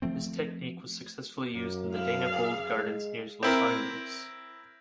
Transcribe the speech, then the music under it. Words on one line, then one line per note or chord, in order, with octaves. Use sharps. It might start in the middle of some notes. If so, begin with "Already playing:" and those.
This technique was successfully used in the Dana Gould Gardens near Los Angeles.
F3 A3 C4
F#2 A#3
F2 G#2 E4 F5
F#3 G#4 D5
G#3
C4 E4 A#4